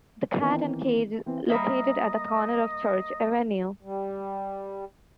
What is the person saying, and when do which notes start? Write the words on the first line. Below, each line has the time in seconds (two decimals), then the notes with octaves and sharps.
The Cat and Cage is located at the corner of Church Avenue.
0.41 D#3 E3 B3 C4 D#4
1.26 E3 C4
1.50 G3 A#3 D#5 E5
3.83 G3